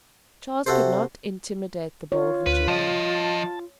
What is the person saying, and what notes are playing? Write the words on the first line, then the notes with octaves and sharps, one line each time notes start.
Charles could not intimidate the bold Virginian.
C3 F#4 A4 C5
F4 C#5
D2 B4
F3 D#5 A5